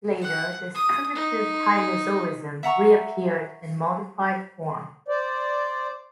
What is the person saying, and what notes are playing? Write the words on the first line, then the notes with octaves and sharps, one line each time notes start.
Later this primitive hylozoism reappeared in modified forms.
F#5
D#6
D#4
E5 F#5 A#5 C#6
C5 D5